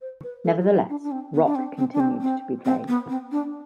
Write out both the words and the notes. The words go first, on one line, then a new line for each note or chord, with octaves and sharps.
Nevertheless, rock continued to be played.
C5
B4
A4
F4
E4
D4
D4
C4
B3
D4
C4
C4
D4
C4
C4
C4
B3
C4
D4